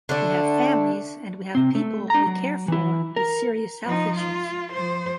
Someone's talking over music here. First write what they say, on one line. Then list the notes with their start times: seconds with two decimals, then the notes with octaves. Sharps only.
We have families and we have people we care for with serious health issues.
0.09 D3 A3 D4
1.55 C3 C4
1.75 A3
2.10 D4 A#5
2.26 F#3
2.68 E3 E4
3.16 A#4
3.84 F3 D#4
4.17 F4
4.73 F3 C5